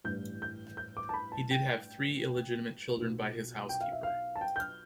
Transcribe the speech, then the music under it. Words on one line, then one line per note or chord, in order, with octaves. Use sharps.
He did have three illegitimate children by his housekeeper.
A1 G2 E3 G3 G6
G6
G6
D6
A5
B5
A5
G5
B1 B2 B3 F4
G5
F5
E5
F5
A5
G5
G6
F6